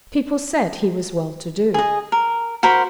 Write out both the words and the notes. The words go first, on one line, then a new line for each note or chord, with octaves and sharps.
People said he was well-to-do.
G#4 D#5
A#4
F#4 A#4 C5 B5